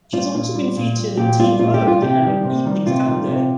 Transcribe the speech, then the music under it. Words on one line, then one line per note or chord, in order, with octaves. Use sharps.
She has also been featured in "Teen Vogue" and in "Evening Standard".
G3 F4
A#2 F4
G3
A#2
G3
A#2 G4
G3 F4
A#2 F4
G4
G3
F4
C3 G4
D#3 G3
C3
D#3 G3
C3 F4
D#3 G3
C3